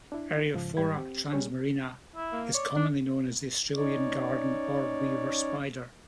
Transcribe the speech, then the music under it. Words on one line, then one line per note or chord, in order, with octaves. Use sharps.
"Eriophora transmarina" is commonly known as the "Australian garden orb weaver spider".
D4 E4
G#2 C#3 F3
G#2 G3 G5 B5 G#6
C4 G4
G3 C#4 G#4 C#5
E4
A#3
C#5 D5
D4
C#4 D#4 C#5 D5